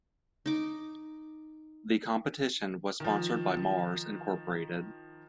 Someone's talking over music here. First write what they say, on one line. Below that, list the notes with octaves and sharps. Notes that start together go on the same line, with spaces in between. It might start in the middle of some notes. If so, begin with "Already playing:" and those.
The competition was sponsored by Mars, Incorporated.
D#4 D6
D#3 F3